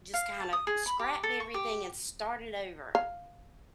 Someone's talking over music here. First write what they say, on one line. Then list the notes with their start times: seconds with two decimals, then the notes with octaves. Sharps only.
just kind of scrapped everything and started over,
0.14 F5
0.40 A5
0.53 D#6
0.67 G#4
0.86 B5
0.99 G4
1.23 A4
1.40 C#6
1.54 G4
2.95 F5